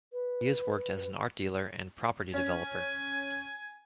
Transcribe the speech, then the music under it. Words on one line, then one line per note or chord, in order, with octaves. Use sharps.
He has worked as an art dealer and property developer.
B4
C#4 G#5